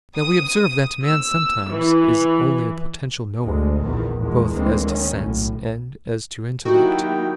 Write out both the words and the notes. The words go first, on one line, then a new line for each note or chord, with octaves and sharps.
Now we observe that man sometimes is only a potential knower, both as to sense and as to intellect.
D#6
E6
E3
D2 G#3
A#1 E2 D#3
E2 A#2 G#3
D2 E3 G#3 A#3 C4
D#3 C#4
B1 A2
D#3 F#3 A#3 D#4 E4 F#4 G4 G5